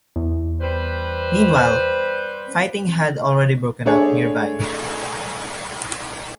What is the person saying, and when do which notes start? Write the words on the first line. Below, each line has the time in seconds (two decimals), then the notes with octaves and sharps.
Meanwhile, fighting had already broken out nearby.
0.16 E2
0.61 G3 B4 C5
3.85 D3 A3 D4 G#4 C#5